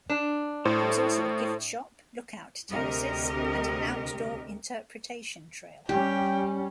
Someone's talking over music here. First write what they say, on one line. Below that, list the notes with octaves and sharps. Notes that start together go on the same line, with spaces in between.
There is also a gift shop, lookout terraces, and an outdoor interpretation trail.
D4
A2 A4 C5
D2 C3 G4 A#4 D#5
G3 C#4 G4 G5